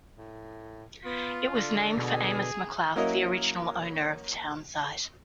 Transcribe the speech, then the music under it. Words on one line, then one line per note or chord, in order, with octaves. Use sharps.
It was named for Amos McLouth, the original owner of the town site.
A2
B3 F4
D3
B2 G#4
F#3 A#3 C#4 E4 A#4 D#5